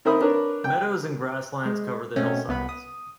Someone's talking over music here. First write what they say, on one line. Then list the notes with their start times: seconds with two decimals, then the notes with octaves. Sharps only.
Meadows and grasslands cover the hillsides.
0.05 D#3 A#4 C5 E5 B5 D#6
0.21 D4 A#4 B4 C#5
0.64 G5
1.65 G#3
2.16 B2 A3 C4 C#4
2.48 C2 B3 B5
2.69 D#6